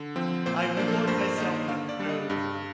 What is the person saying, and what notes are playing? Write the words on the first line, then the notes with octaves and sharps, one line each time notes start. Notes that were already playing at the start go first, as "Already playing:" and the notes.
I reward myself with food,
Already playing: D3
F3 C4
A#2 C5
C5
F3 A#3 D4 D5
A4
A#4
G2 C5
D5
D#3 A#3 D#5
D3 F5
D5
G3 D4
D#5
G2